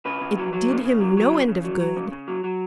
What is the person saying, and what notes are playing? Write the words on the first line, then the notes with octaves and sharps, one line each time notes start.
It did him no end of good.
C#3 B4
C#3
F#3
F#3
C#3
C#3
F#3
F#3
C#3
C#3
F#3
F#3
C#3
C#3
F#3
F#3